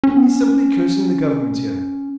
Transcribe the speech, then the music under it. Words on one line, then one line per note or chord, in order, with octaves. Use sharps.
'He's simply cursing the Government here.
C#4
B3
C#4